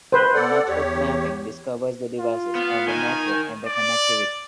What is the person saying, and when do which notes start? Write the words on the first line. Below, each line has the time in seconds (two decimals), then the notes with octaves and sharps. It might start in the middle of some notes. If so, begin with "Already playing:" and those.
Network mapping discovers the devices on the network and their connectivity.
0.12 B4 C5
0.34 A4 D5 F#5
0.68 E2 G4 C#5
2.18 F4
2.55 B3 F5
2.87 D#3 G#5
3.66 D5